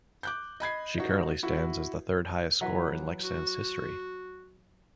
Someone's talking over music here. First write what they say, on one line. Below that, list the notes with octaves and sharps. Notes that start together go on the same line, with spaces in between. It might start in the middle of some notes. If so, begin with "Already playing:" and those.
She currently stands as the third highest scorer in Leksands history.
D6 F#6 G6
D#5 B5 G#6 C7
D#4 F#4
E4 F#4
E3 F#3 E4 B4
F#4